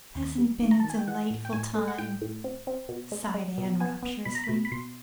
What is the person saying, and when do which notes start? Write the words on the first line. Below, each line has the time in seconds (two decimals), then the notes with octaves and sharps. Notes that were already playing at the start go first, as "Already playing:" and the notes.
"Hasn't it been a delightful time?" sighed Anne rapturously.
0.15 D#2
0.38 G3
0.62 D#3
0.71 A#5
0.80 A5
0.84 D#3
0.90 G#5
0.99 G5
1.08 E3 F#5
1.30 A2
1.45 G5
1.53 A2 G#5
1.75 A3
1.88 F#5
1.98 A2 G5
2.21 A2
2.44 C4
2.67 C4
2.89 B2
3.12 G#3
3.34 G#3
3.58 B2
3.80 B3 G#5
4.03 B3
4.25 B2 B5
4.35 A#5
4.44 B5
4.49 B2
4.65 B5
4.72 B2 C6